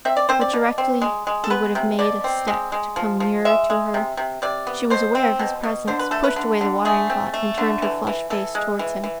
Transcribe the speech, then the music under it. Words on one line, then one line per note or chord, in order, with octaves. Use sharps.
But, directly he would have made a step to come nearer to her, she was aware of his presence, pushed away the watering pot, and turned her flushed face towards him.
C4 E5
D5
C4 C5
D5
B2
C4
G#3
G#3
A4
B3 B4
C3
B2 D5
C4
G#3
G#3
F3
F3
G#3 E5
G#3
C3
C3
C3 D5
B3
B2 C5
C4
B2
B2
D3 C5
B4
A3 A4
B4
D3
D3
A3 G#4
C4
A3
D3
E3
E3
E3 A4
G#3
E3
E3